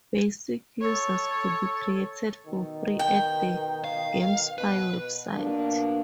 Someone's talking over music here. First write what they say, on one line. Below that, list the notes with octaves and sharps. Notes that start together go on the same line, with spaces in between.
"Basic users" could be created for free at the GameSpy website.
A4 C#5
B2 D#3
G5
F5
B2 B4
B2 A#3 D4